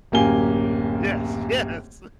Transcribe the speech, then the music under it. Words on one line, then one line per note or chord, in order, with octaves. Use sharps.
Yes, yes!
D1 F#2 A#3 G4 G#5 G7